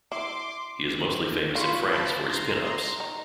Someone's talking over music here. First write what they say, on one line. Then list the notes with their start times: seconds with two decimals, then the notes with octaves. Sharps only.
He is mostly famous in France for his pin ups.
0.11 E4 C6 D6
1.55 F4 B5 C#6
1.92 A5 B5
2.28 A#5 C6
2.64 A#5 C6
3.00 D#4